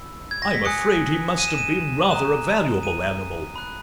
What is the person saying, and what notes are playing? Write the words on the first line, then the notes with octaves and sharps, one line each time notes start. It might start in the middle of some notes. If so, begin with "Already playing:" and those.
'I'm afraid he must have been rather a valuable animal.'
Already playing: B5 E6
G#6
A#6
B6
G#5 D#6 F#6 C#7
D#7
E7
D#7
A#5 D#6 F#6 E7
D#7
B5 F#6